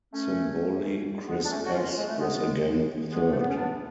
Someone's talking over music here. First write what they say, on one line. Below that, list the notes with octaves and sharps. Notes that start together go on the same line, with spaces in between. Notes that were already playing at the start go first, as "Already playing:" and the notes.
Symboli Kris S was again third.
A3 C#4
G#3 B3
D4
A3 C#4
F#4
C#4 F4
G#3
A3
G#3 B3
G#3 B3
A3
B3
C#4
B3 D4